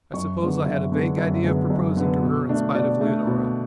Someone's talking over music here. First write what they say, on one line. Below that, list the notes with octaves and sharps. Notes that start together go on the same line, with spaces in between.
I suppose I had a vague idea of proposing to her in spite of Leonora.
F#2 C#6
D3 G#3 B3
F#2 E5
D3 G#3 B3
F#2
D3 G#3 B3
F#2
D3 G#3 B3
B2
A3 D4
B2 D5
A3 D4
B2